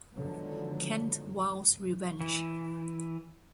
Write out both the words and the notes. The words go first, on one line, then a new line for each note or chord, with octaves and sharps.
Kent vows revenge.
D3 D#3 F3 F#3 G#3 B3
E3